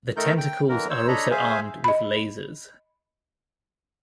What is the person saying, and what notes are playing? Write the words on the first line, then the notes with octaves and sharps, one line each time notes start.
The tentacles are also armed with lasers.
D#3 A3 D#4 A4 A#4 G6
G5
D3 E3 A#4
C5 C#5 E6
D4 A4 C#5 D#5 A#5 B5
G#4 C5 E5 F5 G#5
D#5 B5